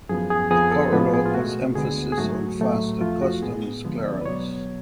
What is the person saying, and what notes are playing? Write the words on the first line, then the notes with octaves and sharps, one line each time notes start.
The corridor puts emphasis on faster customs clearance.
F#2 F3 B3 G#4
G#4
F2 F3 B3 G#4
A4
A2 F3 G#3 B3 B4
G#4
F4
B2 A3 F#4
D2 D3 G#3 B3 G#4
G#4
G#2 F#3 A3 F#4
A2 F#3 A3
F2 F3 A3 F4
F#4
A2 G#3 B3 G#4
D2 D3 F3 G#3 B3
D5
B4
B2 F#3 B3 C#5